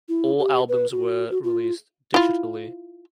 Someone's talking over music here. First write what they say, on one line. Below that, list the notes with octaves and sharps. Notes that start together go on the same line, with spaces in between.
All albums were released digitally.
E4
G4
B4
F#4
F#4
F4
E4 F4